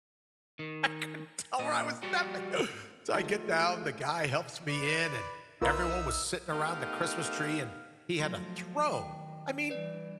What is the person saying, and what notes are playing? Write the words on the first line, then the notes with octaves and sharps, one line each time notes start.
I couldn't tell where I was stepping, so I get down, the guy helps me in, and everyone was sitting around the Christmas tree, and he had a throne. I mean,
D#3
A#2 D#5
G3 F#4 G5
D#3 F#3 G#3 A3 F4 A5
B4 D5
B1 D#4 F4 A#4 B4 E5 E6
A3 B3 D#4 G4 A#4 F5
F3 F#3 A3 C6 A#6
D#3 G5
E3 G3 B4 D5